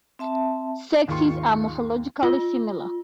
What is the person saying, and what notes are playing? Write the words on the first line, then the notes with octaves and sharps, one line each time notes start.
Sexes are morphologically similar.
C4 E5 A5
D#2 G#2 D#3 F4 C6 C#6
F4